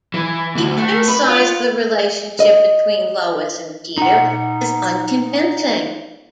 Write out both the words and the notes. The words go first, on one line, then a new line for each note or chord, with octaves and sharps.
He criticized the relationship between Lois and Peter as unconvincing.
E3
D2
A3
B4
F4
D#5
D#4 F#5